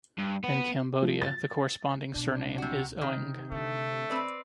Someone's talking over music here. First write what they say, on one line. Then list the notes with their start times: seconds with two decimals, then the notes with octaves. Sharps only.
In Cambodia, the corresponding surname is Oeng.
0.18 G2
0.44 B3
1.02 F3
1.22 A6
2.14 C#2 B2 D4
2.58 C3 F#4
3.01 C3 D#3
3.52 D3 A3
4.10 C4 B4 D5